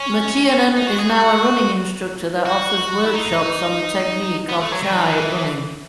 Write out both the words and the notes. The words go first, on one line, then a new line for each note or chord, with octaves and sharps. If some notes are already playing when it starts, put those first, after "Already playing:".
McKiernan is now a running instructor that offers workshops on the technique of ChiRunning.
Already playing: C#4
D#4
F#4
G#4
F#4
F#4
E4
D#4
B3
A3
F#3
F#3
E3
D#3
E3